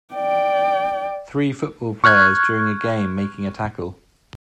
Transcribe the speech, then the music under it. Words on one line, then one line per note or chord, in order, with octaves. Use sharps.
Three football players during a game, making a tackle.
D5 G5
C#6 F6 F#6 G#6